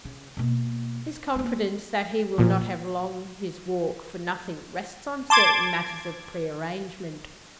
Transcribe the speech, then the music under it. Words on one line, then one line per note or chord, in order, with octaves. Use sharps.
His confidence that he will not have long his walk for nothing rests on certain matters of pre-arrangement.
C#3
B2 A#3
A3 A#3
A#2 F3
A5 C6 D6 G#6